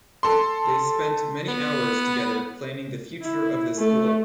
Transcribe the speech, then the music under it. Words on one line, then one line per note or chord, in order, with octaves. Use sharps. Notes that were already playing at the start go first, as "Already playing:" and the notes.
They spent many hours together planning the future of the school.
A4 C6
B3
E4
A3